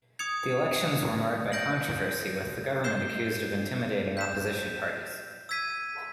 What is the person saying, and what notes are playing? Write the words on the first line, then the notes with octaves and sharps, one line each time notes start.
The elections were marred by controversy, with the government accused of intimidating opposition parties.
D#6 G#6 C#7 F7
G6 A#6 D7 F#7
G6 C7 E7 G7
G6 B6 E7
E6 G#6 B6 D#7